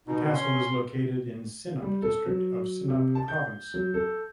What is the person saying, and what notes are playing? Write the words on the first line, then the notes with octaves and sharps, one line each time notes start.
The castle is located in Sinop district of Sinop Province.
B2 D#4
C#4 C6
G3
A4
F#3
C3
A5
G6
F#3
A4